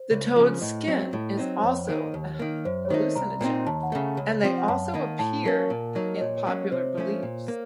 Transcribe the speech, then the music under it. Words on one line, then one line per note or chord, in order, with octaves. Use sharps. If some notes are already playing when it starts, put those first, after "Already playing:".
The toad's skin is also a hallucinogen, and they also appear in popular beliefs.
Already playing: C5
C#2
C#3 F3
A2 D#5
F#3 C4
A2
F#3 C4 D#4
C5
F2 C#5
D#3 A#3 D#4
D#2
D#3 A#3
F#2 C5
C#5
D#3 A3 D#4 C5
C2 A#5
A#2 A3 C4 D#4
D#2 A5
F#5
C#3 A3
C#2
C3 F3 C4
F#5
F#2 A5
D#3 A#3 D#4
A2 A5
F#3 A#3 C#4 A#4
A#2
F#3 A#3 D#4
D#5
A#2 C#5
C#5
F#3 A#3 C#4
C#5
C3 C5
F3 A3 C#4
A#2
A#3